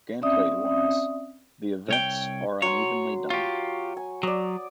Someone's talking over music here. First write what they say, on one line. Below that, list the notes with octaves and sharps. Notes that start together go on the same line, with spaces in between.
Gameplaywise, the events are unevenly done.
C4 C#4 D5 E5 D#6
C2 C#5 G5
F#3 C#5 C6
F4 G4 C#6
G#5
F#3 D5 D#6